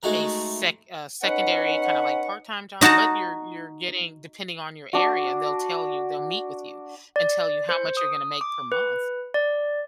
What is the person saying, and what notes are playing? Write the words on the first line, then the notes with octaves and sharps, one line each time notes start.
a sec a secondary kinda, like, part-time job, but you're you're getting depending on your area, they'll tell you they'll meet with you and tell you how much you're gonna make per month.
G#3 A3 D#4 F#4 G#4 A#4
C#4 D#4 B4 F#5
D#4 F#4 F#5 A5 A#5
D4 F#4
D5
C5
D#6
D6
B4
D5